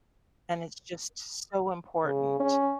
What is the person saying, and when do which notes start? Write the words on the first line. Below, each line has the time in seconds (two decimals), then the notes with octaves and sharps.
and it's just so important.
2.05 C#3
2.40 C#4